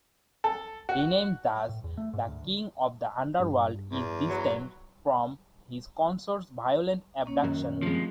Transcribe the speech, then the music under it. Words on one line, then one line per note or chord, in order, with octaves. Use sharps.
Renamed thus, the king of the underworld is distanced from his consort's violent abduction.
A4
F#4
A2
E2
A3
G#2
D2
G2
E2
F#3
A#3 C#4 C#5
F#2 D#3 F#3
F3 G#3 A3 C4